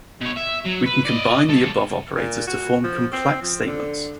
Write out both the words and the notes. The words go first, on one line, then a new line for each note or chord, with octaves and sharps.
We can combine the above operators to form complex statements.
B2 C#5
E5
F#3
B4
D5 D#5
C#2 A4
A#2
F#4
F3
C4
F3
D3